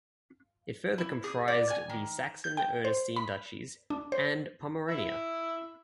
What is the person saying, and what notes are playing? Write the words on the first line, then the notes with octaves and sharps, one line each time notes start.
It further comprised the Saxon Ernestine duchies and Pomerania.
E4
G#4
D5
G#5
D#3
G6
G5
C5
B5
D4
C5
E4 E5